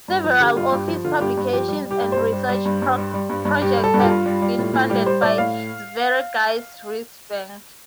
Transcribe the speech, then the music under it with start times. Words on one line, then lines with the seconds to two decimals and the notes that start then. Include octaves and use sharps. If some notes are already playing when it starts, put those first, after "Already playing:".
Several of his publications and research projects have been funded by Sveriges riksbank.
0.08 G2
0.24 F3
0.40 D3 G4
0.56 G2 F4
0.72 G2 G4
0.88 F3
1.05 D3 F4
1.20 G2 G4
1.37 G2
1.53 F3 G4
1.68 G3
1.85 G3
1.91 G4
2.01 G2
2.12 G2 C5
2.32 G3
2.49 G3
2.65 G2
2.82 G2
2.97 G3
3.14 G3
3.29 G2
3.45 G2
3.61 G3 G4
3.77 G3
3.84 A4
3.94 G2
3.99 G4
4.04 F4
4.10 G2
4.26 G3
4.42 G3
4.58 A2
4.74 A2
4.90 G3 G4
5.06 G3 C5
5.22 A2 D5
5.38 A2 F5